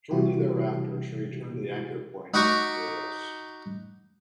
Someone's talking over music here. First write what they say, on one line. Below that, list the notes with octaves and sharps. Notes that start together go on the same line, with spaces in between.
Shortly thereafter, she returned to the anchor point off Piraeus.
C3 E3 G3 E4 F#4 G4
D#4 F#4 B5 C#6 D6